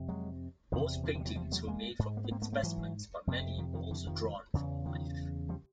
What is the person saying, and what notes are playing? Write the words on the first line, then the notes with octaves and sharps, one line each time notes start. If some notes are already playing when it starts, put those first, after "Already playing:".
Most paintings were made from dead specimens, but many were also drawn from life.
Already playing: F2 C3
F#3 G#3
E2 C3 D#3 F3
D3 E3
D3 E3
G3
E3 F#3
F3 G3
F#3 G#3
G#3 A#3
G#2
A#3
B3
A#3 C4
A3 B3
A3 B3
E3 F#3
F2 C3
D#3 F3
D#3 F3
D3 E3
D#3 F3
E2 C#3
D#3 F3
F3 G3